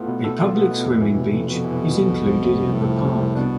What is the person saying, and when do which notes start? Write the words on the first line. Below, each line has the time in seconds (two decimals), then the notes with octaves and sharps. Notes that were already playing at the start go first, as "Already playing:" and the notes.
A public swimming beach is included in the park.
Already playing: A2 B3 F4 A4
0.08 B2
0.24 A4
0.39 F4
0.55 B3
0.71 B2
0.86 F2
1.02 E3
1.17 C3
1.33 F2
1.48 F2 B2
1.64 E3
1.79 C3
1.95 F2
2.11 C2
2.26 F3
2.42 C3
2.57 C2
2.73 C2 A2
2.89 F3
3.04 C3
3.20 C2
3.35 B2 D4